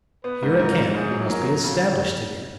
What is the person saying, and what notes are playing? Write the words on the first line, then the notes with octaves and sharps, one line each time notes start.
Here a camp must be established again.
B3 B4
G#2
G#2 A#4
G#2
G#2 G#4
F#3
F#3 A#4
F#3
C#3